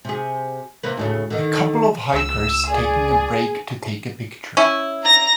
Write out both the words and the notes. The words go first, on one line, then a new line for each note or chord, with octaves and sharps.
A couple of hikers taking a break to take a picture.
C3 G#4
C3 A#3 B4
D2 A2 C#3
D3 D#3
C#2 E6
G#4 D5 G#5
C#4 E4
A#5 A#6